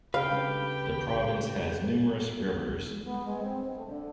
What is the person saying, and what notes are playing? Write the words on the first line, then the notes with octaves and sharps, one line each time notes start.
The province has numerous rivers.
C#3 G4 B4 F5 G5
B3
G#3
C4
A3
D3